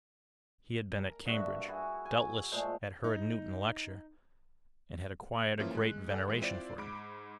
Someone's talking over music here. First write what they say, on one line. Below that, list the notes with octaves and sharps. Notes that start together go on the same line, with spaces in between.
He had been at Cambridge, doubtless had heard Newton lecture, and had acquired a great veneration for him.
A#4
G2 F#4 E5
E4 F#4 G#4
G#5
A#2 G#3 A3 C5
D#4
E3 F3 A#3 C#4 E4 F4
G#3 F#6
A4 D5 F#5 G#5
E3 G#3
C4 E4 F4 C5 D5
G#2 B5 D6 D7